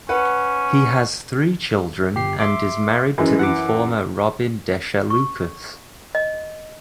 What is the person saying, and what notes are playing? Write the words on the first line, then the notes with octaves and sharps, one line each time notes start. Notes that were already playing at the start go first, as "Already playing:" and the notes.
He has three children and is married to the former Robin Desha Lucas.
C#4 B4 F#5
G1 G4 C7
E5 C6 D6
F#2 E3 G#3
F#5 D6
C#6
D#5